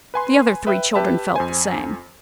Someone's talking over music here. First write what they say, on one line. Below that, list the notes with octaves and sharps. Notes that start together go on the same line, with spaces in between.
The other three children felt the same.
B4 G#5 C6
B4 E5 G5
G4 B4 E5 A5
F2 C5 G#5